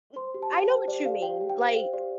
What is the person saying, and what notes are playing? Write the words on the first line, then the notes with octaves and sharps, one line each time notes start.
n I know what you mean, like
C5 C6
G4
A5
G4
C5 G5
G4 D5
G4 F5
G4 G5
G4
G5
C5
C5 F5
G4 D5